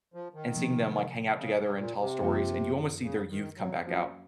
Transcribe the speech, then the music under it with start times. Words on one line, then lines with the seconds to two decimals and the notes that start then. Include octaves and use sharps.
and seeing them, like, hang out together and tell stories, and you almost see their youth come back out.
0.14 F3
0.34 D#3
0.56 C3 F3 A#3
1.37 C#3
1.58 G#2
1.78 A#2
2.00 C3
2.21 F#2 F3 A#3 F4
3.03 C#3
3.30 D#3
3.57 F#3
3.85 F3 F#3 A#3 C#4 F#4 C5